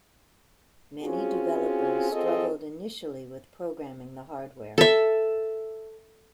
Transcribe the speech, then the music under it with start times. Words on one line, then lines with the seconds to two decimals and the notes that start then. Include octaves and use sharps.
Many developers struggled initially with programming the hardware.
1.03 C4 C#4 F4 F#4 G#4
2.12 C4 F4 G#4 A4 C#5 D#5
4.78 A4 E5